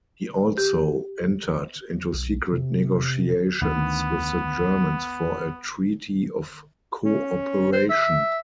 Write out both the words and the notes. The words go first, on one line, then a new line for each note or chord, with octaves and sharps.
He also entered into secret negotiations with the Germans for a treaty of cooperation.
G4
B1
C3
D2 D#3 B3
C#4
C5
E5